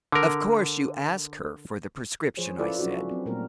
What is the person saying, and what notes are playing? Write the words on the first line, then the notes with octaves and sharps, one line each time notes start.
"Of course you asked her for the prescription?" I said.
D3 A#4
F3 G#4 C5 C#5
C#4 E4 F4 A4 B4 D5
F#3 C#4 D4 F4 F#4
F#3 C4
A#2 F#3 G3 A3 B3 A#4